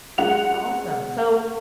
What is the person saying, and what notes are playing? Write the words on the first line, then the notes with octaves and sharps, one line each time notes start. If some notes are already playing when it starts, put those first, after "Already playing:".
That's awesome. So,
G#3 F#5 F7